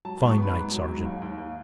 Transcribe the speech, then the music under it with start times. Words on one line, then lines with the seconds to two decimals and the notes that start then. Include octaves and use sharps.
'Fine night, sergeant.'
0.05 F#3 A5
0.18 G#2 A5
0.30 C#6
0.38 B3 B5
0.55 G#2
0.72 F#3
0.88 G#2
1.05 D#2
1.22 D#2
1.38 D#2